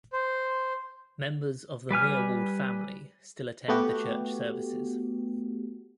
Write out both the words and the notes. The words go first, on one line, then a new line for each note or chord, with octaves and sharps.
Members of the Meerwald family still attend the church services.
C5
G3 B4 G#5 F6
A3 B3 F#4 G4